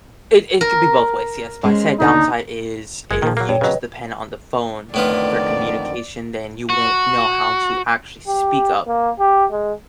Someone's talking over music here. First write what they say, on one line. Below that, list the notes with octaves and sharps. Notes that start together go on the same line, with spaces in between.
It it can be both ways, yes, but I'd say a downside is if you just depend on the phone for communication, then you won't know how to actually speak up
A#4
G#3 C#4 C5
D#2 D3 D4 D#4
F#1 G#3 G#4 G#6
A#2 D#3 F3
F#3 A#3
G2 C#5 G5
C#3 F#3 B4 D#5
F2 A2 D3 D#3 B3 F4 D5
F#4
G4
A#3
G4
G#3